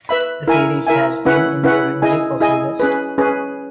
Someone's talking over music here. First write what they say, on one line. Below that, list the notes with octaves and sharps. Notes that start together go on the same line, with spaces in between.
The series has been enduringly popular.
B4 E5 B5
E4 A#4 E5 G#5
E4 A#4 E5 G#5
C#4 E4 B4 F#5
C#4 E4 B4 F#5
E4 G#4 D#5 G#5
E4 G#4 D#5 G#5
C#4 G#4 B4
C#4 G#4 B4